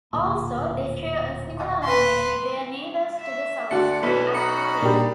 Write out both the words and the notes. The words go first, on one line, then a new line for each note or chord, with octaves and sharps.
Also, they share a similar language with their neighbors to the south, the Acholi.
D1 A#2
B4 C6
E5
D2 D4 F#4 D5 C#7
B1 E4 B4
D#4 F#4 B5 C#7
A#2 G3 D4 G4